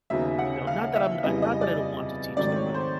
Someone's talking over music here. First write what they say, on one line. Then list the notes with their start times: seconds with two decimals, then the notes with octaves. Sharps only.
You know, not that I'm I not that I don't want to teach them, but
0.10 D#2 C#3 F#3 B3 D#4 E5
0.39 F#5
0.67 F5
0.96 E5
1.23 F2 C#3 E3 G3 B3 D#5
1.42 D#5
1.61 D5
2.37 G#2 D#3 F#3 A3 C4 D5
2.56 C#5
2.74 C5